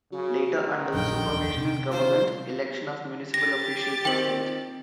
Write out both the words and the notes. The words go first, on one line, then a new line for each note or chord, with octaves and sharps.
Later, under the supervisional government, election of municipal officials was held.
C#3 F#3
A2 D#3
A#1 F#2 D3 F3 G5
E1 D4
C3
E1 F4 C5
G4 A6 A#6
D#3 C4 G5 F#7